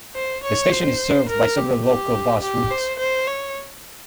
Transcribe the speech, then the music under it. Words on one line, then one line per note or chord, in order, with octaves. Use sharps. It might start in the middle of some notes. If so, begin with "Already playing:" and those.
The station is served by several local bus routes.
C5
C#5
C5
A#4
G4
G4
G4
C5
C5
C#5